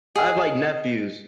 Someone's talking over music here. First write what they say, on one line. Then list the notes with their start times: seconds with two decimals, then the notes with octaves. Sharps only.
I have, like, nephews.
0.16 G#4 D#5